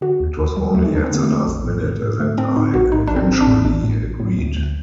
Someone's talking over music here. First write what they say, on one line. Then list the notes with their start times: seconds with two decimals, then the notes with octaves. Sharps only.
It was only at the last minute that I eventually agreed.
0.01 D3 F#4
0.20 D#2
0.38 D#2
0.57 D#2 G3
0.74 D#2 A3
0.86 D#4
0.92 D#2 D4
1.04 C4
1.11 D3 A#3
1.23 D3 A3
1.47 A#1
1.65 A2
1.83 A2
2.02 A2
2.19 A2 A3
2.38 A2 C4
2.56 A2 D#4
2.74 A#1 F#4
2.92 A2 D#4
3.08 A1 D4
3.16 C4
3.29 A1 C4
3.41 D4
3.47 A2
3.65 A1 D4
3.83 A2
4.02 A1
4.20 A2
4.39 D2
4.57 D2